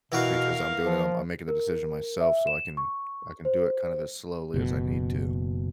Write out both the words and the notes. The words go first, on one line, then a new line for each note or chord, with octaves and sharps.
because I'm doing it. I'm I'm making the decision myself so I can I can do it kind of as slowly as I need to.
B2 E3 F#4 A#4 B4 F5
F3
A#4
E5
E7
C#6
C5
F#1 B2